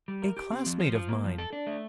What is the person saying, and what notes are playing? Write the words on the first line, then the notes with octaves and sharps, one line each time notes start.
"A classmate of mine."
G3
A#4
G4
C4
F3
C5
F4
A#3
F3
A4
D4
A3